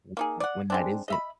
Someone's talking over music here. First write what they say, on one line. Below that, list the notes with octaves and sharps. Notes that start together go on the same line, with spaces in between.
w m when that isn't,
A#3 D#4 G#4
D5 F#5
G#3 C4 D4
D#5 E5 B5